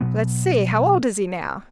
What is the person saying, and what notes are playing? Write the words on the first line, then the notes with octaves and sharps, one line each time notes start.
"Let's see--how old is he now?"
B2 F#3 B3